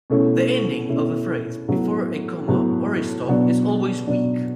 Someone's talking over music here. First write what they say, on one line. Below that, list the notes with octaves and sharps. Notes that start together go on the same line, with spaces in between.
The ending of a phrase, before a comma, or a stop, is always weak.
B2 A3 C#4 E4
B2 A3 C#4 E4
A2 F#3 B3
A2 F#3 B3
B2 F#3 B3 D4
B2 F#3 B3 D4